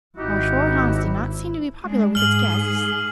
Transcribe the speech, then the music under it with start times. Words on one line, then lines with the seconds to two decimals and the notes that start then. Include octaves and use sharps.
Our shore haunts do not seem to be popular with its guests.
0.17 G#1 D#4 E4 F#4 G4
1.81 G#3 D4
2.15 G#2 G#4 F6 F#7